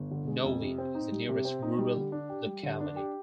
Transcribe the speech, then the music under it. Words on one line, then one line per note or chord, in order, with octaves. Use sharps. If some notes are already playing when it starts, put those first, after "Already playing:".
Novy is the nearest rural locality.
Already playing: G1
D3
G#3
F2
C3
C4
D#4
G3
C3
C4
D#4
G3
D3
D4
G4
G3
D3
D4
G4